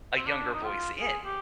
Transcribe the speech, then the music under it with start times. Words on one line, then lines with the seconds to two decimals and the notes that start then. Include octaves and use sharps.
a younger voice in
0.16 C4
0.27 D4
0.54 D#4
0.64 F4
1.00 G#4
1.25 G4